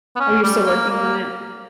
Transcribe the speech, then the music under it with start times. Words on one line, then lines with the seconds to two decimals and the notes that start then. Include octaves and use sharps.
Oh, you're still working on it?
0.16 B3
0.20 C#4
0.43 G3
0.66 A#3
0.90 A#3